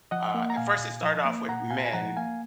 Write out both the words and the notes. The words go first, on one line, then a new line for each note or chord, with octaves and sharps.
uh at first it started off with men
F3 D#5 F#5
A#3
A#5
A#2 F5 G#5
A#2
F3
A#3
A#2 F#5 A#5
A#2 F5 G#5
G#5
F3 F#5 A#5
A#3 F5 G#5